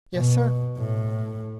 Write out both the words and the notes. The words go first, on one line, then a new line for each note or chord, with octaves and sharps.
"Yes, sir."
B2
A2